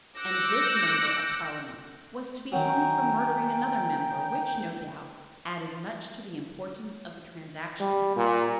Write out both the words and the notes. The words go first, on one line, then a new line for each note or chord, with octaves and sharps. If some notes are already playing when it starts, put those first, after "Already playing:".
And this Member of Parliament was to be hung for murdering another member, which, no doubt, added much to the importance of the transaction.
D6 E6 F#6 G6 A#6 C#7
D#3 F#3 G5 G#5 A#5
G3
A#2